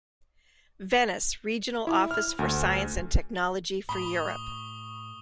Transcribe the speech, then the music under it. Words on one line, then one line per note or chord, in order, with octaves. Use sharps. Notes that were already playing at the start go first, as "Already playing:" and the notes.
Venice : Regional Office for Science and Technology for Europe.
E4
F6
D2
A2 B5 C#6 D#6 G7